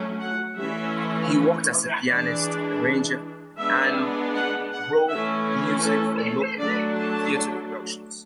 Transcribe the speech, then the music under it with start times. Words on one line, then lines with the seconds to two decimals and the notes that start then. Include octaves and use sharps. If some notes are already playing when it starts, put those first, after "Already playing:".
He worked as a pianist, arranger, and wrote music for local theater productions.
Already playing: F#3 A3 C#4
0.20 F#5
0.57 E3 A3 C#4 E5
2.07 E3 G#3 D4 D5
3.58 G#3 B3 D4 E5
4.34 F#5
4.72 F#5
5.09 E3 A3 C#4 E5
5.84 A4
6.22 A4
6.59 F#3 A3 D4 D5
6.97 A5